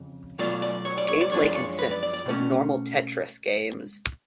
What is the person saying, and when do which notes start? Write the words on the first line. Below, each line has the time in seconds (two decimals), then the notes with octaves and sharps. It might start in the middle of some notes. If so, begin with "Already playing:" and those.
Gameplay consists of normal Tetris games.
Already playing: F2 C#3
0.39 B2 F#3 A3 F4 D5
0.62 D5
0.85 C#5
0.98 D5
1.08 C#5
1.21 D5
1.32 F#2 F3 G#3 D4 F4 C#5
1.44 D5
1.55 C#5
1.79 B4
1.91 D5
2.03 D5
2.14 D5
2.26 B2 A3 C#4